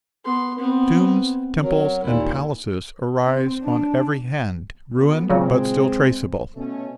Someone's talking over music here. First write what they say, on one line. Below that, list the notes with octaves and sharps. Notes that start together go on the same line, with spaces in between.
Tombs, temples, and palaces arise on every hand, ruined but still traceable.
B3 C6
B3 C4
F#3 A#4
D#2 A#2 E4
C4
D4
D2 B3
A#2 C#3 F#3 G#3 C4
B2 A3 C#4